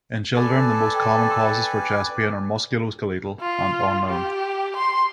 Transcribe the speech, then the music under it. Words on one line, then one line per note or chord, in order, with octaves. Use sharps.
In children the most common causes for chest pain are musculoskeletal and unknown.
A4 B4 D5 G#5
G5
F4
G4
C6